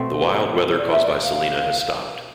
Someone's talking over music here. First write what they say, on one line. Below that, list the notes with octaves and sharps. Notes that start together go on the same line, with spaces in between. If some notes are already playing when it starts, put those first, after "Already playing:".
The wild weather caused by Selena has stopped.
Already playing: B2 A3 C4
D5
E5
D5
F5